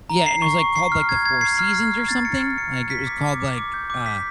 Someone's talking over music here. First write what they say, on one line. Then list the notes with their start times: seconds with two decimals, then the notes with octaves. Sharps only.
yeah, and it was, like, called, like, the Four Seasons or something, like, it was called, like, uh
0.10 A#5
0.26 C7
0.42 C#6
0.58 C#6
0.76 C7
0.92 F6
1.09 G#6
1.26 G#6
1.41 C7
1.59 F6
1.75 F6
1.91 F6
2.08 A6
2.25 C#7
2.41 F6
2.58 C#7
2.74 C#7
2.90 B6
3.07 D6
3.23 D6
3.40 D6
3.58 D6
3.74 G6
3.90 D6
4.06 B6